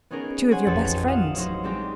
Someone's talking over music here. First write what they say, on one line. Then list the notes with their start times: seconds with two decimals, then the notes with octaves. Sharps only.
"Two of your best friends."
0.11 B3 C#4 D#4 G#4 A#4
0.51 C5 C#5 F#5 G#5
0.66 A1 F2 F3 B4 A6
1.08 F5 F#5 D#6 E7
1.36 F#3 D#4 C5
1.63 G3 G#3 C4 D#4 G4